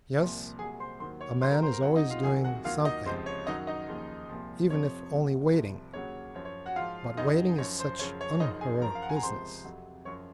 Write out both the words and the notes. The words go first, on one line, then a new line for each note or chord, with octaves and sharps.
"Yes, a man is always doing something, even if only waiting; but waiting is such unheroic business."
C2 A#2 F3
C2 A#2 F#3 G#4 G#5
C5 C6
D#2 D#3 F#3 C5 C6
C#5 C#6
C2 C3 F#3 C5 C6
A#4 A#5
C5 C6
A#4 A#5
F2 C3 F#3 F#4 F#5
D#4 D#5
F4 F5
C2 C3 D#3 F#3 G#4 G#5
F#4 F#5
D#2 D#3 F#3 F4 F5
D#4 D#5
C#2 C3 F3 C5
C#5
F#2 D#3 F#3 D#4 D#5
D#4 D#5
D#2 C#3 F3
C2 A#2 F3
F2 C3 F3 C#5
C2 A#2 F#3
C2 C3 F3
D#2 C#3 F#3 C#5
F#2 F3 C#5
C#5
F#4 F#5
G#2 F3 F4 F5
F#2 C#3 F#3 D#4 D#5
F#2 F3 C#5
C5
F#2 C#3 F3 C#5
C#5
F#2 C#3 F3 D#4 D#5
G#4 G#5
F#2 F3 A#4 A#5
F5
F#5
G#5
A#5
C#2 C3 F3 C5 C6
F2 C3 F#3
F#2 F3 C#5 C#6